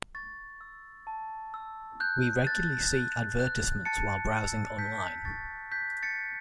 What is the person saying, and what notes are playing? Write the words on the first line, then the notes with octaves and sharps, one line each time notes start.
We regularly see advertisements while browsing online.
C#6 A6
E6
A5
E6
F#6 G6
F#6 A6
F#6
F#6
A5 A6 C#7
E6
A5 G6 B6
C#6 A6
F#6 G6 B6
A6 C#7
F#6